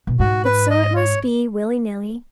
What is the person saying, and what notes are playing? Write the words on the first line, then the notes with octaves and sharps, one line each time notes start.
But so it must be, willy-nilly.
B2
G#2 F#4
B4
D#5
C#5